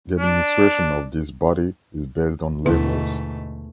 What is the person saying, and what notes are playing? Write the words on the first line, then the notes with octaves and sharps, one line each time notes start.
The administration of this body is based on levels.
D4
D#2 G#2 B2 D3 A3 B3 E4